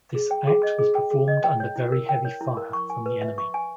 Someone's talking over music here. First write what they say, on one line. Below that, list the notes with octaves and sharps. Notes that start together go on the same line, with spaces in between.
This act was performed under very heavy fire from the enemy.
G#4
G5
G#4
D#5
G#4
G5
G#4
D#5
G5
C#5
E4
A#4
G5
C#5
E4
A#4
C#6
G#5
B4
E5
C#6
G#5